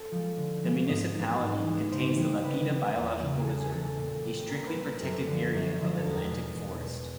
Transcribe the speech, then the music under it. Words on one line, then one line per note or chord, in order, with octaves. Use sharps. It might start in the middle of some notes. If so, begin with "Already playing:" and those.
The municipality contains the Lapinha Biological Reserve, a strictly-protected area of Atlantic Forest.
Already playing: C4 A4
F3 G#3
D3
F3 G#3
G#2 D#5
E3 G#3 B3 D#4
G#2
E3 G#3 B3 D#4
C#3 C5
E3 G3 B3
C#3 B4
E3 G3 B3
E2
C#3 E3 A3
G#4
E2 A4
G#4
C#3 E3 A3 A4
A4
A#2
G3 C4
A#2 A#4
B4
G3 C4
A#4
A#4
F#2 A4
D3 F3
F#2
D3 F3
A4
E2 A#4
B2 G#3
E2
B2 G#3